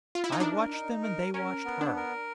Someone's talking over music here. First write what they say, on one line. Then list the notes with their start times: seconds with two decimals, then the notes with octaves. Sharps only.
I watched them and they watched her.
0.15 F4
0.24 E4
0.32 D#4
0.40 D4 A#4
0.72 D#4
1.03 A#4
1.34 C#4 A#4
1.65 B3
1.81 D4
1.96 A#4